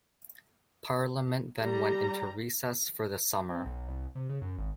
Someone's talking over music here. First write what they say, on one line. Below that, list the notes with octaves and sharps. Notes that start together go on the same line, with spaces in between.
Parliament then went into recess for the summer.
G3 A#5
C4
B1
C2
C3
C#3
F#2
G#1